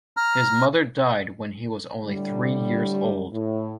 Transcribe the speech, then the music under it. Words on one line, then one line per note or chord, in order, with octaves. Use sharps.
His mother died when he was only three years old.
A#5 F6
A2 D3 G3
A2